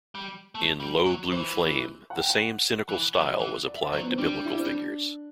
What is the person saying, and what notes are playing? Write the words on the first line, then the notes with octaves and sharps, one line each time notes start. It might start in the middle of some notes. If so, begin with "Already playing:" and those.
In "Low Blue Flame", the same cynical style was applied to biblical figures.
G3
A3
G3
F#3
E3 C5
F#5
G5
F#5
E3
F#3
E3
D5
E5
D5
F#3 C5
B3
C4
G3 D4
E4
D4
C4
D4